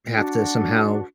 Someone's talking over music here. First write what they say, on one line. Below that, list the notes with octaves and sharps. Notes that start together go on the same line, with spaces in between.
have to somehow
D4 F#4